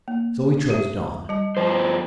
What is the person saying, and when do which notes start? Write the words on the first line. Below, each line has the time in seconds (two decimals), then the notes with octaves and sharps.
So he trudged on.
0.08 A#3
0.70 G4 E5
1.29 G3 A5
1.57 G2 F3 G3 C5